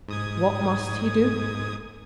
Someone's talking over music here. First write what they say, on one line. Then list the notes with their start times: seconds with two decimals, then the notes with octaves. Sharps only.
What must he do?
0.08 G#2 D#6 G#6